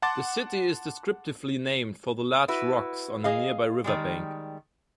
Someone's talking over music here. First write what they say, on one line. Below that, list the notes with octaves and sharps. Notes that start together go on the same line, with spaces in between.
The city is descriptively named for the large rocks on a nearby river bank.
F#5 A5 C6 D6 A6
E4 F#4 B4
G#4 D#5 F5
D#3 G3 G#3